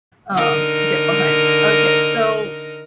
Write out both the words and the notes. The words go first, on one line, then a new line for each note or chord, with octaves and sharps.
um get behind me. Okay. So
D3 D#4 A#4